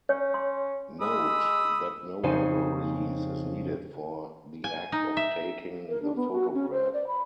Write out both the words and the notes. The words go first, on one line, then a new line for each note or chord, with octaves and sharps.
Note that no model release is needed for the act of taking the photograph.
C#4 C#5
C6
G#3 B5 D#6 E6
F2 C#3 D#4 C5 G#5
G#5
D#4
E5
A#4
D4
B3
F#4
C#4
C5
D5
B5